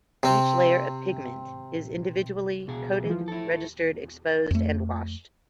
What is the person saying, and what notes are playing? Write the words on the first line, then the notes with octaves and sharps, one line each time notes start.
Each layer of pigment is individually coated, registered, exposed and washed.
C3 C4
B2 G#4
E3 F3
E4 A4
F2 A3